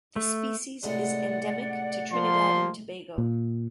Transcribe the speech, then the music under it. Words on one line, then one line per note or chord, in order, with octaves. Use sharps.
The species is endemic to Trinidad and Tobago.
A3
A2 C3 G#3 D5 F#5
F3 A#3 C6
A#2